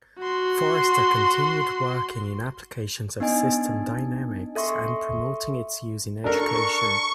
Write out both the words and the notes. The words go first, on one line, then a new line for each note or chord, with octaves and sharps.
Forrester continued working in applications of system dynamics and promoting its use in education.
F#4 C6
B3 D4 D#4 D#5 G#5
A4 E5 C6 C#6
D4 A4 A#4 C#6